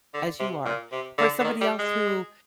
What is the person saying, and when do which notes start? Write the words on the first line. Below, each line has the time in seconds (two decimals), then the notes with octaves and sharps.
as you are, for somebody else who
0.14 D3
0.40 C3
0.66 A#2
0.92 C3
1.18 D3
1.40 D3
1.44 D#3
1.61 G3
1.79 G#3